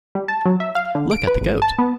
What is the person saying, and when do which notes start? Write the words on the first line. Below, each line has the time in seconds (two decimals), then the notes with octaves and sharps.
Look at the goat!
0.15 G3
0.28 A5
0.46 F#3
0.60 E5
0.75 F5
0.95 D3
1.11 D7
1.27 B4
1.41 G#1
1.62 A5
1.79 B3